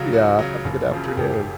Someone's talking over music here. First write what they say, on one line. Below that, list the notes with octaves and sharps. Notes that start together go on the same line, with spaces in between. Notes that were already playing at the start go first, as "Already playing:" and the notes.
Yeah, have a good afternoon.
Already playing: C#2 C#3 F#3 F#4
C#2 F#4
C#3 F#3
F#1
F#2 C#3 F3
G#4
F#1 G4